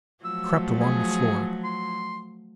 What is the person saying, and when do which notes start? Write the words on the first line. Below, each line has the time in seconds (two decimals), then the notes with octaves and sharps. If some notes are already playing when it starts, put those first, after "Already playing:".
I crept along the floor.
0.25 F3 F#3 A3 E6
0.81 G#4
1.64 C6